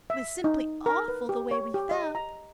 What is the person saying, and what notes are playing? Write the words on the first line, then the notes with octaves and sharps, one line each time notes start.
It was simply awful the way we felt.
E5
D#4
A#4
B4
G4
C#5
G4
D#5
A#5